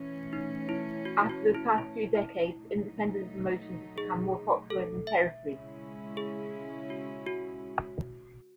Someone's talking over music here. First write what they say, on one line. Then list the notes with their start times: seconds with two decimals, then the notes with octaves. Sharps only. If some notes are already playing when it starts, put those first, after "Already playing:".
After the past few decades, independent promotions have become more popular than territories.
Already playing: E3 A3 C#4
0.33 D#4
0.69 E4
1.05 F#4
1.21 E4
1.29 F#4
1.55 E4
1.78 E4
2.15 E4
2.51 F#3 A3 D#4
3.98 G#4
4.70 A4
5.07 E5
5.44 C#3 G#3 C#4 E4
6.17 G#4
6.90 F#4
7.27 F#4